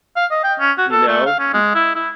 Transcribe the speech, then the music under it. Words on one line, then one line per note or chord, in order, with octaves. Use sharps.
you know, i
F5
D#5
G5
C#4
F#4
A4
A3
F5
C#4
G#3
E4
E4